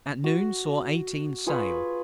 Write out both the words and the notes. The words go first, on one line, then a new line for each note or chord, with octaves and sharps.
At noon saw eighteen sail.
F#4
F4 G#4 B4 C#6